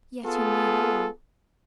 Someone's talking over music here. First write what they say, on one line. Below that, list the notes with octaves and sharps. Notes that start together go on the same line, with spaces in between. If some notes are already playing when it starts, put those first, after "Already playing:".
Yet he knew all.
B3 F4 G#4 A4